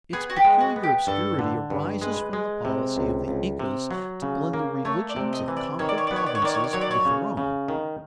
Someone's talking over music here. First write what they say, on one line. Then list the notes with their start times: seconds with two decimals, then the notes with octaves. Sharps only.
Its peculiar obscurity arises from the policy of the Incas to blend the religions of conquered provinces with their own.
0.13 B3 G#4
0.30 F#4
0.36 G4
0.44 G#3
0.60 F#4
0.76 B3
0.83 G4
1.07 G2 A4
1.39 D3
1.70 G2
2.01 G#3 B4
2.33 G#3
2.65 C3
2.96 C#2
3.28 C#2
3.59 C3
3.91 F#3
4.22 C#3
4.54 A#3
4.85 A3 C#5
5.09 D5
5.16 C3
5.33 D#5
5.48 E3
5.57 D5
5.79 D#3 C#5
5.89 D5
5.98 C#5
6.07 D5
6.11 B3
6.16 C#5
6.26 D5
6.35 C#5
6.42 D#3 D5
6.54 C#5
6.64 D5
6.73 F#3 C#5
6.81 D5
6.91 C#5
7.05 C#3
7.37 C#3
7.68 D#3